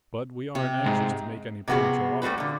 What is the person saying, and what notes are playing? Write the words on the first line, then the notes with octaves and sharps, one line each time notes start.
But we aren't anxious to make any premature offers.
C3
G#2
C3 F3 B3 F#4 G#4
G3 A3 C4 F#4 B4
A#2 D3